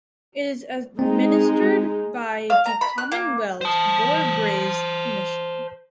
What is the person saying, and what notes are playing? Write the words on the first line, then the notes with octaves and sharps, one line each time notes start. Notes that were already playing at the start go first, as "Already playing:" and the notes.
It is administered by the Commonwealth War Graves Commission.
G#3 C4 D#4
F5
A#5
B5
F#6
A#3
C5 A5